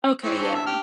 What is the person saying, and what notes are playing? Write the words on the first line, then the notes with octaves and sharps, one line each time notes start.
Okay, yeah.
E3 C4 C#4 E4
D4
E5
G4 F6